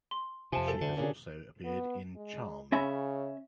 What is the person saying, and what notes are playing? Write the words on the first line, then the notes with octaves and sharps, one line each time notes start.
She has also appeared in "Charmed".
C6
F2 C3 F3 G#5 A5
A4
D2 D3
A#2 C#4 D4 G#4
B3
G#3
C#3 C#4 E5 B5